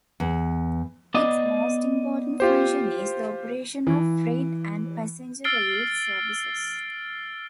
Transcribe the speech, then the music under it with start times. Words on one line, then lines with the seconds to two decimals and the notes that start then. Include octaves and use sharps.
Its most important function is the operation of freight and passenger rail services.
0.20 E2
1.14 B3 D5 D#5
2.40 F4 G4 C5
3.87 E3
5.44 E6 F6 A6 C7 D7 G7